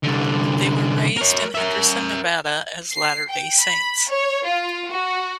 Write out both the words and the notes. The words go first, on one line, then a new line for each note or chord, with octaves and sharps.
They were raised in Henderson, Nevada, as Latter-Day Saints.
C2 D3
A#4 C#5
A#4 E5
C7
G5
B5
C#5
F4
F#4